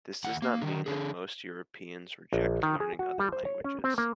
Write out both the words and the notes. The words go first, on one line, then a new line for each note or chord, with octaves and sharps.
This does not mean that most Europeans reject learning other languages.
D#2 F#5
A#3
D3 D#3
D3 G#4
A#1
D#3
G#4
F#4
G3
C5
C#5
C#4
C4
A#3